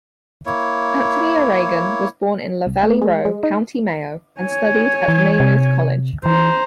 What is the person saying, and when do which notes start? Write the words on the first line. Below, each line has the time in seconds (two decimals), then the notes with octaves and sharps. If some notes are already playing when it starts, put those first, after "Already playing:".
Anthony O'Regan was born in Lavalleyroe, County Mayo, and studied at Maynooth College.
0.46 A#3 E4 C#5
2.66 C2
2.83 A3
3.02 G#3
3.25 G#3
3.43 D#4
4.41 C#5 G#5
5.08 E3
5.40 C3
6.26 E3 C5 A#5